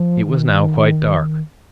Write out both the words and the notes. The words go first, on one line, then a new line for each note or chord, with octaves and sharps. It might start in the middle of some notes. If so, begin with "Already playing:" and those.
It was now quite dark.
Already playing: F3
D#3